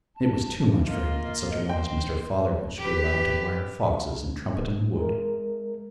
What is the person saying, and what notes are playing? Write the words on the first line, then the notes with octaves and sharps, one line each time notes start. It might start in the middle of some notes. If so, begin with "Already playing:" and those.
And it was too much for him that such a one as Mr. Fothergill should be allowed to wire foxes in Trumpeton Wood!
A5
A#3 F4 D#5
C5 G5
G4 B4
G#3 A#4